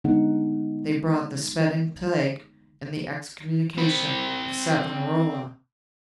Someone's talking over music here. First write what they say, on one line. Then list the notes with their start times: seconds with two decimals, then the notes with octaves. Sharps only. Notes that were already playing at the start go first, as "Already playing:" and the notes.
They brought the spreading Plague and the Excommunication of Savonarola.
0.04 D3 G#3 B3 D#4 G#4 F#5
3.78 C4 B5